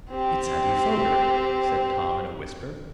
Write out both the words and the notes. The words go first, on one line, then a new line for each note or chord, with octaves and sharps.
"It's Andy Foger!" said Tom, in a whisper.
C4 G4